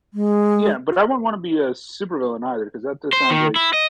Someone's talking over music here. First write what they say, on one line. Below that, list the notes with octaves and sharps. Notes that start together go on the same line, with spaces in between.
Yeah, but I wouldn't wanna be a supervillain either 'cause that just sounds like
G#3
C5
D#3
E4
D#5